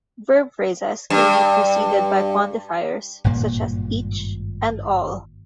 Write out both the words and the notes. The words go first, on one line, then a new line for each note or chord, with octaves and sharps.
Verb phrases can be preceded by quantifiers such as "each", and "all".
G2
G#1 G2 A#2 A#3